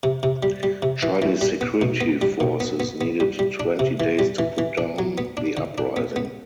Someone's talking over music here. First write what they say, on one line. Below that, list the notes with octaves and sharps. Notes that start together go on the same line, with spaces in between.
Chinese security forces needed twenty days to put down the uprising.
C3
C3
G3
G3
C3
E3
E3
G3
B3
B2
B3
G3
B2
B3
B3
B3
G3
G3
D4
C3
E3
G3
E3
E3
D4
F#3
B3
D4
D3
D4
B3
B3